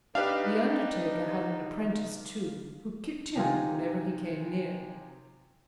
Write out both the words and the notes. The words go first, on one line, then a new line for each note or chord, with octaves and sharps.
The undertaker had an apprentice, too, who kicked him whenever he came near.
D4 D#4 G4 B4 F5
C3 D#4 F4 G#5